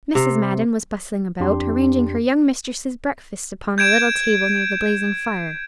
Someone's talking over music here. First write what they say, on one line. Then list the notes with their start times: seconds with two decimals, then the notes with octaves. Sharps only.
Mrs. Madden was bustling about, arranging her young mistress's breakfast upon a little table near the blazing fire.
0.15 C3
1.40 F2 D4 G4 C6
3.78 G6 G#6 D7 E7